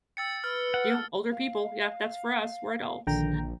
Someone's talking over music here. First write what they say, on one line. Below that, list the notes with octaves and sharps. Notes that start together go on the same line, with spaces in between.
you, older people. Yeah, that's for us, we're adults."
G5 E6 A6 C#7
B4 F6
F#5
A5
F5
A#1 D3 D#3 G5 A#5